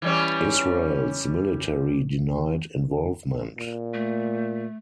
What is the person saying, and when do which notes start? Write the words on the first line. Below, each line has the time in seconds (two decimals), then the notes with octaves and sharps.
Israel's military denied involvement.
0.02 E3 G3 C#4
3.58 A#2
3.94 A3